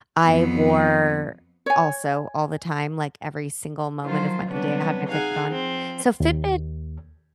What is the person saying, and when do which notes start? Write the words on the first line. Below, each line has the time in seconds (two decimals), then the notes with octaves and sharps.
I wore, also, all the time, like every single moment of my day, I had my Fitbit on. So, Fitbit
0.25 F2 B3
1.66 C#5 G#5
4.03 D#3 F3 F#3 F4 C5
4.48 C3 F#3 G3 B3 C#4 D4
5.08 D#4 G#4 F5 F#5 G#5
5.49 F3 C4
6.20 D#2